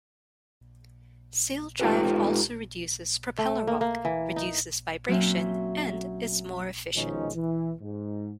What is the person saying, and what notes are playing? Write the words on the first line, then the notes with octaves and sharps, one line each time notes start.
Saildrive also reduces propeller walk, reduces vibration, and is more efficient.
G#3 D#4 F4 G4 A4 B4
A3
A#3
A#3
E3
D#4
F#3 A#3 C4 C#4 E5
B2 D#3 F3 G#3 C#4 D#4
E3
G#2